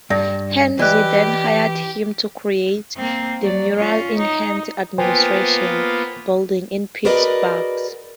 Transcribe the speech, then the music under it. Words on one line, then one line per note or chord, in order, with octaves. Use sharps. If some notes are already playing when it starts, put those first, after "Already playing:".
Heinz then hired him to create the murals in Heinz administration building in Pittsburgh.
G2 D5 A#6
E3 G4 D5 D#5 F#6
A#3 C4
F#3 D5
C#4 F4
D#4
A#3 B3 F4 C5 G5 G#5
F#4 G#4 A#4 B4 D5 D#5